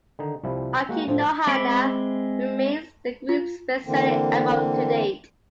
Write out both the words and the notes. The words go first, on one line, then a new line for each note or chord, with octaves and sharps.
"Aku no Hana" remains the group's best-selling album to date.
D3 D#3 D#4
C2 F3 G3 E4
G#3 A#3 F#4 F#5 G5
A2 F3 C4
G#3 C4 E5 B5 D6
F4
D3 E3 A#3 C4